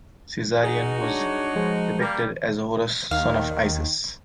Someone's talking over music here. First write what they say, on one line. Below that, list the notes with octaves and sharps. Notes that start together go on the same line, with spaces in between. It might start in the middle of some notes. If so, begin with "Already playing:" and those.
Caesarion was depicted as Horus, son of Isis.
D#4 F#4 G#4
D4 C#5
F3 G#3
G3 A#3
D#2 D#3 F5